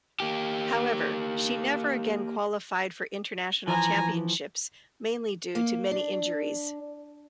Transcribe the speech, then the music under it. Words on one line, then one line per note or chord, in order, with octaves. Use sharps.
However, she never again qualified for international championships mainly due to many injuries.
A#3 G4
E3 F3 G#5 A#5
A#3
D4